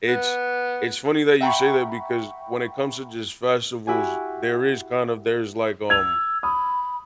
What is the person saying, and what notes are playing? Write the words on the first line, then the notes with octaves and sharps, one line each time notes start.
it's It's funny that you say that because when it comes to just festivals, there is kind of there's like, um
B3
E5 F#5 G5 A#5 B5 C#6
E4 F#4 G4 G#5
E6 G#6 F7
B5 D#6